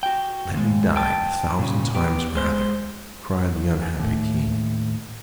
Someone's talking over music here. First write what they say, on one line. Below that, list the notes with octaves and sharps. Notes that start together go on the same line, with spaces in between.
"Let me die a thousand times rather," cried the unhappy King.
F#4 G5
D#2 G#3
G5 A5
A#2 C#3
B3 G4
G#3 C5
D#2 A2